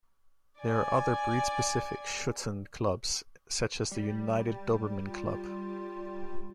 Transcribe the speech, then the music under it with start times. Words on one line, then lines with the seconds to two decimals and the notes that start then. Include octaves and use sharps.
There are other breed specific Schutzhund clubs such as the United Doberman Club.
0.59 D5 G#5
3.91 G3
5.06 F4